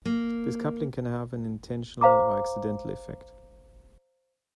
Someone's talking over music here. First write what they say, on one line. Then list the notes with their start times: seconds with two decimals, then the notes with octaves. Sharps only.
This coupling can have an intentional or accidental effect.
0.06 A#3
2.01 C5 F5 A#5 D6